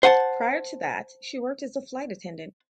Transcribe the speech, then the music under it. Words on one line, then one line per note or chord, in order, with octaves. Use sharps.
Prior to that, she worked as a flight attendant.
C5 F#5 G#5 A5